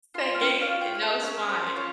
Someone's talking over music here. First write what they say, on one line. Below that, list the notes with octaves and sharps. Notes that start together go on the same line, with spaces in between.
That game, and that was fine.
F4 C6
F5
C#4 G5
F5
F4
G5
G#4
C5
C#4 A#4
C#4 C5
C5
F4 C#5